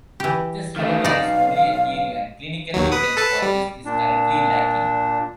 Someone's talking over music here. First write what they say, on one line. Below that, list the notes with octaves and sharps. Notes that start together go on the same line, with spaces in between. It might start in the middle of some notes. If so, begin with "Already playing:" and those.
This, however, is only a theory, and clinical evidence for this is currently lacking.
E3 G4
D#3 A3 F5
B1 D#4 D5
D#2 F#3
B4 D#6
A4 B4 A5
G3
A#2 D4